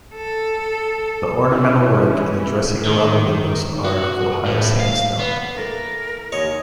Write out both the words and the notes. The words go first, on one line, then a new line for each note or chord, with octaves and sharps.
The ornamental work and the dressing round the windows are of Ohio sandstone.
A4
E3 C#4 E4
D#3
F#4
A2
F5
B3
E3 A#3 A4 A#4
D#2 C#5 D#5